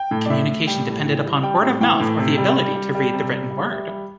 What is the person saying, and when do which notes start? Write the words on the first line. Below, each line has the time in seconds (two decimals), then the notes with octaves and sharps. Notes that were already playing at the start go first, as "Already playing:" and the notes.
Communication depended upon word-of-mouth or the ability to read the written word.
Already playing: G5
0.11 A2
0.26 D5
0.30 A2 E5
0.49 A2
0.67 G3 G5
0.87 A2
1.06 E3
1.24 G3
1.43 G3 G5
1.62 A2
1.81 E3 G5
2.00 A2
2.19 C3
2.38 G3
2.56 G3
2.75 G3
2.95 G3
3.13 C3
3.32 G3
3.51 G3
3.69 G3 E5
3.89 G3